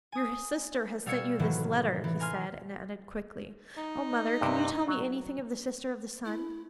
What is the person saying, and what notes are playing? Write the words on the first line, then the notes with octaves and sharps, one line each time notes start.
'Your sister has sent you this letter,' he said, and added quickly: 'O mother! can you tell me anything of the Sister of the Sun?'
G#5 D#6
B2 G3 F5 E6 G#6 C#7
A2 C3 D#3 E3 F#3
E3
A#4 G#5 C6 F6
D#4
G2 C3
F#3
E4